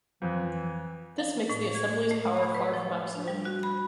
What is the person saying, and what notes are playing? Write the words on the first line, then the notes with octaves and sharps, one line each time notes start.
This makes the Assembly's power far from absolute.
F2 E3
F5
A2
G#6
A3
B5
B4
F3
D4
G3
F#4
B5